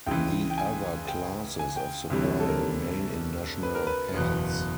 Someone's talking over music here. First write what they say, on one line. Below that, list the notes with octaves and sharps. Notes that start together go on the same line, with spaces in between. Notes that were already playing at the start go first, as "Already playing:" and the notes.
The other classes of supply remain in national hands.
C#2 C#3 E3 G5
G5
G#5
G5
G#5
G5
D2 C3 E3 G3
C#5
A4
A#4
B4
A#4
B4
F#1 E2 B2 B4